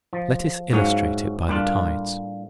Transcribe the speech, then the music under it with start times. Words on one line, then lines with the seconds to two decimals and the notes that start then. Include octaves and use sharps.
Let us illustrate it by the tides.
0.13 F3
0.72 G#2 F#3 C#4 E4 G4 F5
1.48 A2 G3 A#3 D4 F4